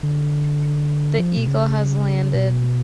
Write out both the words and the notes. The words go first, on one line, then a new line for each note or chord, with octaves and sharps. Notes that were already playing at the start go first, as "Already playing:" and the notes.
The Eagle has landed.
D3
F3
B2
C#3
B2